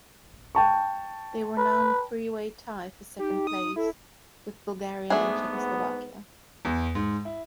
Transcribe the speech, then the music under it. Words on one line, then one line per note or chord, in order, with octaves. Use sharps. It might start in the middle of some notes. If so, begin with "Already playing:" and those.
They were now in a three-way tie for second place with Bulgaria and Czechoslovakia.
G5 A5 C#6
B4
D#4 G4
D#6
E4 A4
G#2 A3 B3 D4 G#4
E2
G#2
E4